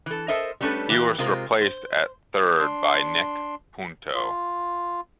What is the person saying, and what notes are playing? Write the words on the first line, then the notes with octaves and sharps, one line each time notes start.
He was replaced at third by Nick Punto.
E3 A4
A4 A#4 C5 D#5 E5
G3 A3 C#4 D4 A4 B4
E3 A#3 G4
C3 G#3 F4 A#4 C5
C5
D4 C6
F4